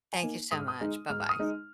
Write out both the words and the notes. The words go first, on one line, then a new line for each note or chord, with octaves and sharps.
Thank you so much. Bye bye.
G#5
A#3 D#4
G#2 D#6
F6
D#6
G#3 D#4
G#2 F6
F6
D#6
G#3 D#4